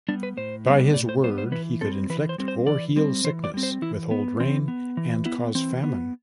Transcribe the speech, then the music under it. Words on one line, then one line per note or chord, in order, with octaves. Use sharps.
By his word he could inflict or heal sickness, withhold rain, and cause famine.
G3 B3 D4
B4
A2 C5
G3 B3
A2 D5
C5
G3 B3 C5
C5
E3 B4
G3 C4 A4
E3 B4
C5
G3 C4
C5
E3 D5
G3 C4
E3 C5
D5
G3 C4
C5
E3 E4
B3
E3 C4
B3
E3
B3 E4
E3 C4
B3